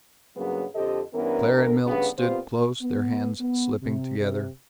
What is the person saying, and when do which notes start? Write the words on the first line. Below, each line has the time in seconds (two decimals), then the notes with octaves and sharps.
Claire and Milt stood close, their hands slipping together.
0.36 G2 C#3 F#3 A#3 B3 G#4
0.74 F2 D3 G4 A4 C5 D#5
1.13 G2 E3 B3 C#4 A#4
1.52 D2 A#4
1.86 D2 G2 C#3 B3
2.17 A#2 B3 C4 F4 G4 C5
2.81 B3
3.40 B3
3.82 C3
4.19 C3